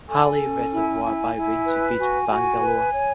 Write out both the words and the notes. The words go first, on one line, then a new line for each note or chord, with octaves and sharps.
Halli reservoir by rain to feed Bangalore.
A4 G#5
C#4
E4
E4
E4
B4
F#4 G#5
F#4
B4
C#5